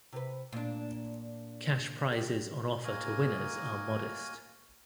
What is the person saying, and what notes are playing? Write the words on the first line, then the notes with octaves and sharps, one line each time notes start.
Cash prizes on offer to winners are modest.
C3 B4
A#2 D4
G4
A#3 F#4 A#4 D#5 G#5 D#6